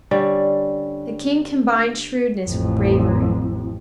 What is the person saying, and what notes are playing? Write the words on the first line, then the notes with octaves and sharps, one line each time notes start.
The King combined shrewdness with bravery.
D3 G3 C#4 D5
A1 F2